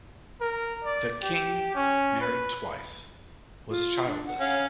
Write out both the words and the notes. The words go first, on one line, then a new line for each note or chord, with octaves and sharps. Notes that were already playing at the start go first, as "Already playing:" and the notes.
The King, married twice, was childless.
A#4
D5
G4
C#4
B4
F4
D4
F#5
C#4 F5